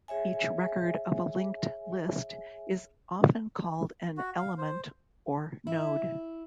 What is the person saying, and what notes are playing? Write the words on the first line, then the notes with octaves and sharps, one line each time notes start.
Each record of a linked list is often called an 'element' or 'node'.
G#4 C#5 E5 G#5
F#4
F5
C5
E4